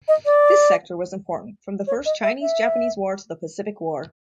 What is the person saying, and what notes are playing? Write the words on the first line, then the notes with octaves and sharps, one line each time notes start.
This sector was important from the First Chinese-Japanese war to the Pacific War.
D#5
D5
C#5
D#5
E5
E5